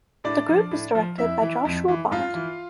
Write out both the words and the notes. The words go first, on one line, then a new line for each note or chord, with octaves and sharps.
The group is directed by Joshua Bond.
A2 D4 D5
F3
A2
F3
F2 E4 E5
E3
F2
E3
G2 F4 F5
E3